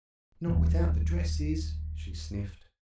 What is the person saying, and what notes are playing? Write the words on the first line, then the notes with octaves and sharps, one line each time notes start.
"Not without the dresses," she sniffed.
D#1 B1 E3